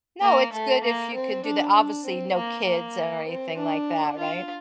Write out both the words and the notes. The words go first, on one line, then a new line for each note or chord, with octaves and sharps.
No, it's good if you could do that. Obviously, no kids or anything like that, right?
A#3
A3
A#3
C4
D4
D4
C4
A#3
A#3
C4
D4
F4